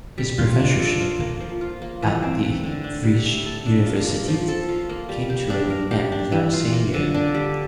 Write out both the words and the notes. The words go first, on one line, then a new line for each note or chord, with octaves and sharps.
His professorship at the Vrije Universiteit came to an end that same year.
G3
F4
D4
A4
F4
A#3
F3
F4
A#3
E3
C4
A3
D3
D4
G3
A3
A4
D4
F4
A#3
F3
A4
F4
A#3
G3
G4
D4
A#4
G4
D4
E3
F4
A#3
D3
D4
G3